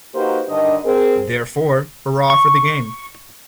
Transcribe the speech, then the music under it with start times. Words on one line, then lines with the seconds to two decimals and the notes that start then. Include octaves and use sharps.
Therefore, hurrah for the game.
0.15 A#3 D#4 F#4 G4 B4 C5
0.48 G2 D3 D#3 D4 D#5
0.85 C4 G#4 A#4
2.30 C#6